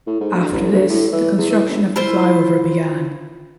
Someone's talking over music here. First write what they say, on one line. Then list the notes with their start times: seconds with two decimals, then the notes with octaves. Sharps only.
After this the construction of this flyover began.
0.07 A2
0.21 G#2
0.34 D2
0.52 A1
0.72 D2
0.90 A2
1.12 E3
1.38 E2
1.50 E3
1.68 G1
1.96 E4 F4 C5